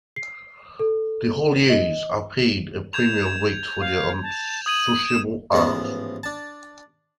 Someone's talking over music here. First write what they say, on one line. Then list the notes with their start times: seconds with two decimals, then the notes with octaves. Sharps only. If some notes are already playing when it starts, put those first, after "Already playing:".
The hauliers are paid a premium rate for their unsociable hours.
0.16 C7
0.80 A4
1.70 D#5
2.93 G6 G#6 E7 F7
3.26 G#6
3.80 F5
4.23 A5
4.66 D#6 G#6 D#7 F#7
5.07 E7
5.52 A1 G#2 F3 B3 E5
6.23 D4 A5